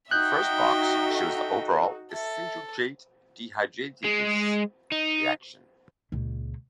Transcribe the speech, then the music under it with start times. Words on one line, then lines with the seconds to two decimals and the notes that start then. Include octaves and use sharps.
The first box shows the overall isocitrate dehydrogenase reaction.
0.11 D#4 F#4 E5 G5 D#6 F#6 G6
1.08 A4
2.13 A4 E5
4.04 G#3
4.92 D#4
6.12 C#2 A#2